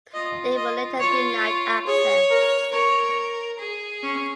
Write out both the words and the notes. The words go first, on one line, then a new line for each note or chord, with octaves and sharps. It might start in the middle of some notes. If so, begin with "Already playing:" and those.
They were later denied access.
F4 D#5
D#5
F4 C#5
C#5
G#4 C#5
A#4
A#4 C#5
G#4
C#4